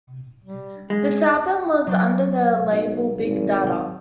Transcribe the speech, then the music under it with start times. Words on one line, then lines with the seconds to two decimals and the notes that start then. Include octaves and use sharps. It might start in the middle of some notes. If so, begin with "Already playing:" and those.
This album was under the label Big Dada.
0.45 G3
0.90 G#3 G#4
1.87 F#3 C5 D5
2.70 B1
3.15 G#1